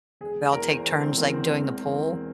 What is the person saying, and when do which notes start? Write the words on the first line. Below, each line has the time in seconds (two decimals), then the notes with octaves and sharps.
we all take turns, like, doing the pool.
0.21 E1 G#4
0.53 E2 E3 A#4
0.69 C5
0.85 E1 A#4
1.01 C4
1.17 E2 E3 A#3
1.34 C4
1.50 E1
1.82 E2 E3